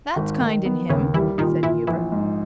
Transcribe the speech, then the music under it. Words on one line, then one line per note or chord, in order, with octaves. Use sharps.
"That's kind in him," said Hubert.
G#1
D#3
B3
D#2 C#3 C#4
E3 G3 E4
A#2 D#3 D#4
A#2 E3 E4
A#1 E3 E4
G#2